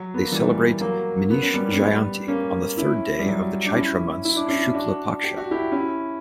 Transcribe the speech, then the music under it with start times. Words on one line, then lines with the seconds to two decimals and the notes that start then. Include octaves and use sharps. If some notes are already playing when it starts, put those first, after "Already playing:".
They celebrate Meenesh Jayanti on the third day of the Chaitra month's Shukla paksha.
Already playing: F#3
0.14 B3
0.23 A#3
0.32 E3 G3
0.81 F#3 A#3
1.30 B3
1.42 C#4
1.54 G3 B3
1.73 C#4
1.79 G3 B3
2.28 A#3 C#4
2.77 C#4 E4
3.19 G3
3.27 F#3
3.66 D4
3.76 C#4 E4
4.25 E4
4.36 D4
4.49 C#4 E4
4.74 D4 F#4
5.24 G4
5.37 F#4
5.51 E4 G4
5.72 C#4 E4